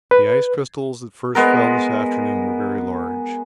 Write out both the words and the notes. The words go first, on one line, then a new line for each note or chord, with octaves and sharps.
The ice crystals that first fell this afternoon were very large.
B4
G#3 B3 A#4